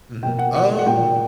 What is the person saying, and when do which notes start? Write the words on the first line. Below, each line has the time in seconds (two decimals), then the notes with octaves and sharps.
Mhm. Um,
0.23 B2 A#3 G5
0.39 F#5
0.55 F#5
0.79 F#5
0.86 A#2 A#3 G5